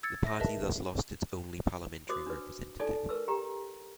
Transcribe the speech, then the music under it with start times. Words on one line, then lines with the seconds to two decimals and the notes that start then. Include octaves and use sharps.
The party thus lost its only parliamentary representative.
0.03 E6 G#6 A6 C#7
0.24 E5 A#6
0.39 G#4 A#4 B4 D#5 E5 A5
2.09 F#4 C5 D#5 D6 D#6
2.27 D4 B4
2.80 D#4 A4 D5 D#5 G#5
3.09 A#4 B4 E6
3.28 G4 G5 A#5